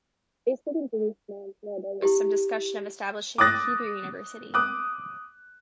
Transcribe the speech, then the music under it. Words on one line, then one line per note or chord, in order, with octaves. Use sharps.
They stayed in Jerusalem where there was some discussion of establishing a Hebrew University.
E4 G4
D6 D#6 F#6 A6 A#6
D6 D#6 F#6